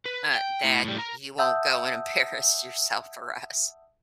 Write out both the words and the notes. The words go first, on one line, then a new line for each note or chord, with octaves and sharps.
uh, that you won't go and embarrass yourself for us
B4
G5
A2
A2 G3
A#4
E5 F#5 A5 D#6 E6 G6